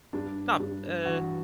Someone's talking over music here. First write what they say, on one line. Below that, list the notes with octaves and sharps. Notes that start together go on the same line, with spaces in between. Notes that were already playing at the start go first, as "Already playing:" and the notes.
not eh
G2 D4
G2
E3 F#4